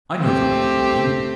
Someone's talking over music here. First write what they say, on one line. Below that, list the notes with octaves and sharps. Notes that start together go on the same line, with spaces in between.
I know the boy you mean.
A3 C4 G4